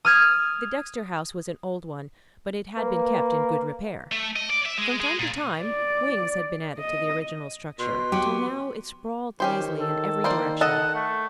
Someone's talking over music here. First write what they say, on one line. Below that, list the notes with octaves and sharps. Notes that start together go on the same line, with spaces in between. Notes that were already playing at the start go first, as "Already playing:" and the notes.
The Dexter house was an old one but it had been kept in good repair. From time to time, wings had been added to the original structure, until now it sprawled lazily in every direction.
D#6 F6 G#6
A#3 B4
A3
D#5
D5
E5
G#3
G#3
A#2
D5
D#5
B2 C6
F#3 B3 G4
D#3 C#4 G4 C5
A4
A#3 C5 D5
A4 D#5 F#5 A5
A3